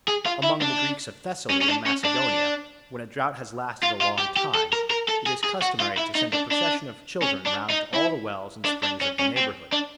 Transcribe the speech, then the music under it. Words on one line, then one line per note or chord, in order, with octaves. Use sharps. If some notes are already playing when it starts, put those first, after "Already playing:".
Among the Greeks of Thessaly and Macedonia, when a drought has lasted a long time, it is customary to send a procession of children round to all the wells and springs of the neighbourhood.
G#4
F4
E4
D4
C#4
C#4
D4
C#4
D4
F4
F4
G4
G4
A4
A#4
A#4
A4
G#4
G#4
F#4
F4
E4
D#4
D4
D4
C#4
D4
D#4
E4
D4
D4
C#4
C#4
C4
D4